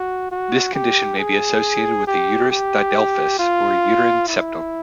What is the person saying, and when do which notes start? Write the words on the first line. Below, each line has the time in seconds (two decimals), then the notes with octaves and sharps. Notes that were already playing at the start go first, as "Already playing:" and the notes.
This condition may be associated with a uterus didelphys or a uterine septum.
Already playing: F#4
0.31 F#4
0.74 G4
1.18 G#4
2.07 G4
2.51 G4
3.39 F4
4.29 E4